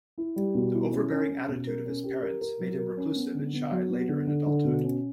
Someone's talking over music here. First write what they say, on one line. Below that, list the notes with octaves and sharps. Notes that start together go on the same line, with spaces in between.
The overbearing attitude of his parents made him reclusive and shy later in adulthood.
E4
G3
B2
E4
C#4
C#4
C#4
B2
A#4
C#4
G4
A#4
A#4
F#3
A#4
C#4
B3
D3
B3
F#3
B3
D3
D3
D3
B2
C#4